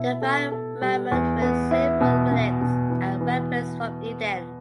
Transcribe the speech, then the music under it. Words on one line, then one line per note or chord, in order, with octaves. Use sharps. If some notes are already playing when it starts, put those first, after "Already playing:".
They find Mammon with several relics and weapons from Eden.
Already playing: B2 E4
A4
A4
G3
E2
B3
E4
B2
B2
B2
E3
E3